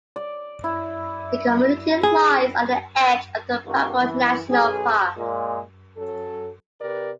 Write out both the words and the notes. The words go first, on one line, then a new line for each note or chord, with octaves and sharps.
The community lies on the edge of the Paparoa National Park.
D5
E4
G#4
C#2 C3 D#3 A#3 F#4 G4
E3
B1 G#4
A#2 G#3
F#3 C#4 A4
C3 G4 A#4 B4 D5